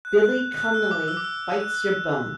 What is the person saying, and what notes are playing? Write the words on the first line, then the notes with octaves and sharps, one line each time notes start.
Billy Connolly Bites Yer Bum!
F#6
F#6
E6
D6
E6
D6
E6
F#6